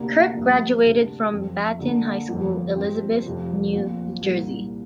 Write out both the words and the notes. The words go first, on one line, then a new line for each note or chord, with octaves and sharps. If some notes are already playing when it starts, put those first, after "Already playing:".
Kirk graduated from Battin High School, Elizabeth, New Jersey.
Already playing: D2 C3 A#3 D4
G2 F3 A#3
D2 C3 A#3 D4
F2 F3 C4
D2 D3 A#3 D4
G1 F2 F3
G2 F3 C4
F1 F2 C3
A#1 A#2 F3 C4
C2 A#2 G3 A#3